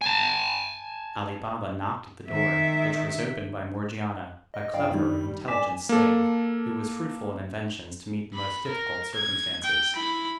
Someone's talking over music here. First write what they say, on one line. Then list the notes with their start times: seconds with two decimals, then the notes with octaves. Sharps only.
Ali Baba knocked at the door, which was opened by Morgiana, a clever, intelligent slave, who was fruitful in inventions to meet the most difficult circumstances.
0.01 G#5 A5
2.28 D#3 E5
4.54 D#5
4.74 G1 D5 F5 G5
4.91 F#2 D#3 G3
5.48 D5 G#5 D6 B6 E7
5.89 A#3 A4
8.34 B5
8.68 A#4
9.14 G#6
9.64 G5
9.94 E4 B5